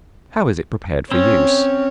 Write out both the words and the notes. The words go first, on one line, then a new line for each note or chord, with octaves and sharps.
How is it prepared for use?
C4 C#4 C#5